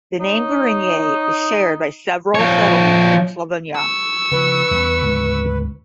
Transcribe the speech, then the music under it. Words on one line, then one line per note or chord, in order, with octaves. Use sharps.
The name "Gorenje" is shared by several settlements in Slovenia.
D#4 C#5
F3 C#5
C#6 E6
C#3 F3 B4
E2 G3
D2 G#2 C#3